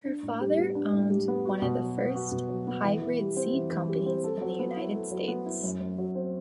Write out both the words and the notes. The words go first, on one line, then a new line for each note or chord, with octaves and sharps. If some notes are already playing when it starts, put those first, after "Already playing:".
Her father owned one of the first hybrid seed companies in the United States.
D4
A2
G3
B3
D4
A2
G3
B3
F#4
B2
F#3
B3
F#4
B2
F#3
B3
E3
E3
G3
C4
E3
E3
G3
C4
A4
F#3
B3
E4
A4
F#3
B3
E4
F#2
F#2
F#3
C4